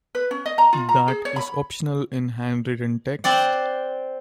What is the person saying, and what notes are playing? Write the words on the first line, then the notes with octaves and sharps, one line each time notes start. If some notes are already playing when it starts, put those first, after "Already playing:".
That is optional in handwritten text.
B4
C#4
D#5
A#5
F4
A#5
G#4
C#5
B5
C4 D5 F#5